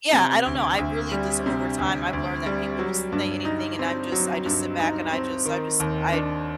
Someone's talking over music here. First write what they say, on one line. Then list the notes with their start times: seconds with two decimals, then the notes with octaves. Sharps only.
yeah, I don't know, I really just over time, I've learned that people will say anything, and I'm just I just sit back, and I just I just I
0.13 C3
0.46 D2
0.78 D2
1.12 G3
1.46 C3
1.78 D2
2.13 D2
2.46 G3
2.79 F#3
3.12 G2
3.45 D#4
3.79 C4
4.12 F#3
4.46 G2
4.80 D#4
5.12 C4
5.46 D#3
5.80 D#2
6.13 D4